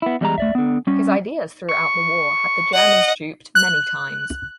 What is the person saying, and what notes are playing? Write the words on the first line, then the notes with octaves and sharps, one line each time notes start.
His ideas throughout the war had the Germans duped many times.
B3 E4
E2 G3 G#3 A#5
A3 D5 E5
D3 B3
G3 C#4
C#6
D#5 F#5
F#6